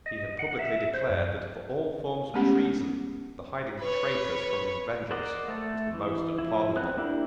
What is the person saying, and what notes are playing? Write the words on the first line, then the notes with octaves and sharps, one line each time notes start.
He had publicly declared that of all forms of treason the hiding of traitors from his vengeance was the most unpardonable.
D#5
F#5
E5
C5
F#2
G#3 A3 B3 C#4 G4 F#5
B4 C#5
A#4 C5 D5 D#5 F#5
A3 A4
E3
F3 E4
B3 C4 F#6
A#3 D4 E4 G4